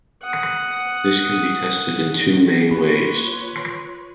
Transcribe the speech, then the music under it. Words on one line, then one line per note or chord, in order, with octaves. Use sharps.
This can be tested in two main ways.
F#5 D#6
A#3 F4 B4 C#5 B5